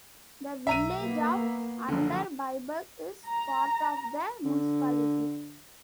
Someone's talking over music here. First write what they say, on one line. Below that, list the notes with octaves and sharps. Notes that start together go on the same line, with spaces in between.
The village of "Unterbiberg" is part of the municipality.
B1 E5 A#5 D#7
A#3 B3
F#1 D3 F3
A#5
D3